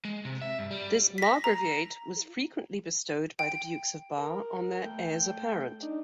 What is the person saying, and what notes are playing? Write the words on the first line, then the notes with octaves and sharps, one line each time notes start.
This margraviate was frequently bestowed by the Dukes of Bar on their heirs apparent.
G#3
C3
E5
G2
G3
A#6 B6
A#5
G5
A#4
A3 G5
D4 D#4